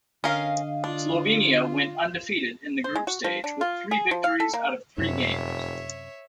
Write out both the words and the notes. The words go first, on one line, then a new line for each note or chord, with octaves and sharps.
Slovenia went undefeated in the group stage with three victories out of three games.
D3 C#4 A#4 D#5 F5
D4 F4
C5
G#3
F#4
F3
D4
F4
G#4
F3
F5
A4
A#3
F1 F#2 C3 C#5 E5